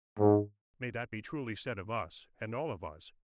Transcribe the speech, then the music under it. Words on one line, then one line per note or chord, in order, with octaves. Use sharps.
May that be truly said of us, and all of us!
G#2